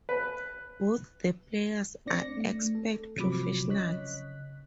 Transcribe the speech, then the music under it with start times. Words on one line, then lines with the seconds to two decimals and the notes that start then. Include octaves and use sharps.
Both the players are expert professionals.
0.09 B4
2.06 A2 C4 D4 D5 A#6 C#7
2.37 A3
2.75 A4
3.17 G#1 C3 F3 F#3 B5 D6
3.68 C#3 C#5 D#5 F#6 B6